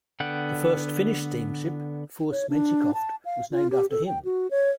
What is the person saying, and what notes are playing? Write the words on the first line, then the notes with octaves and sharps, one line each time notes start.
The first Finnish steamship "Furst Menschikoff" was named after him.
D3 B3 F#5 G5
C#5
D4
A5
F5
F4
G4
A4
G5
F#4
C#5